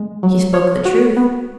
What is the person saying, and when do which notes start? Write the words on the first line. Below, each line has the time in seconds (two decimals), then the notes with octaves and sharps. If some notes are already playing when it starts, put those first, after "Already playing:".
She spoke the truth.
Already playing: G#3
0.23 F#3
0.54 C#5
0.85 F#4
1.16 B3